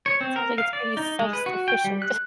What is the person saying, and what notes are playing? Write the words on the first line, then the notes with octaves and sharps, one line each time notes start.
Sounds like it's pretty self-sufficient.
C#5
C4
A#4
F5
D5
D#4
G#3
B4
F#4
G5
G3
F#6